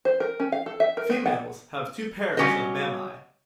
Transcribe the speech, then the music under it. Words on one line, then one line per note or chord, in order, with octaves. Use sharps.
Females have two pairs of mammae.
C5
A#4
C#4
F5
A4
E5
A#4
B3
F#5
F#3 G3 C#4 G4 C5 D#5